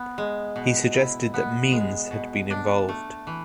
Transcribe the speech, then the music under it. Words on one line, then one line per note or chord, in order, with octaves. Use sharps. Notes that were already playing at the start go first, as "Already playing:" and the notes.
He suggested that Means had been involved.
Already playing: B3
G#3
B2
E4
B3
G#3
B2
D4
A3
E3